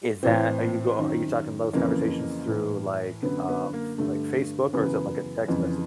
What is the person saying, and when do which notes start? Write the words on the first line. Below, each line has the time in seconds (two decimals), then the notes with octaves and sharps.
Is that are you go are you talking those conversations through, like, of, like, Facebook or is it like a text message?
0.23 A2 E3 C4
0.98 F#2 D#3
1.73 F2 C#3 E3 A#3
2.48 A2 E3
3.23 F#2 D3 B3
3.49 B3
3.73 A#3
3.98 G2 D3 A3
4.73 F#2 C#3 E3 B3
5.48 F2 C#3 E3